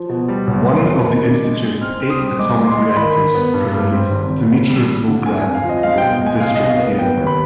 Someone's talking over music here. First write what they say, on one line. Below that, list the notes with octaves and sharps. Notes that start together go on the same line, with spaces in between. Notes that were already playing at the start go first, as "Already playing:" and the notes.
One of the institute's eight atomic reactors provides Dimitrovgrad with district heating.
Already playing: F3
B2
G3
B1
D#3
F2
D#3
D4
G#3
G#3
C4 F6
C4
D#6
G3
G#3 D6
G#3
C6
G#3
D#3 B5
D#3
B3
G2
G2
C4
G#1
G#1
G#1
G3
G3
D3
F2 G#5
G#5
F2
F5
F3 D#5
G#3 F5
B2 G5
G#3
G#5
C2 F5
B2 D#5
F5
B3
B3 G5
D#2
B5